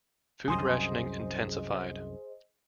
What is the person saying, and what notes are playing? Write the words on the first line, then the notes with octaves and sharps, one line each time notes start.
Food rationing intensified.
C2 F#2 G#4 C5 D#5